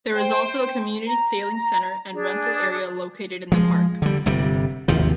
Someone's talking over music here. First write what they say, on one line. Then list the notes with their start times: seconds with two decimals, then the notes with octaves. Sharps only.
There is also a community sailing center and rental area located in the park.
0.14 C5 G5
1.05 A#5
2.13 D4 G#4
3.52 F3 G#3
4.02 D3 G3
4.26 G1 C3 G3
4.88 G#1 D#2 C3 F3